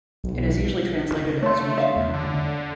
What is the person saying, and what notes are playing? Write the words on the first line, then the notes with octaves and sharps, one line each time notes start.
It is usually translated as "region".
B1
A3 C#5 C6
E5 F5
E2
D3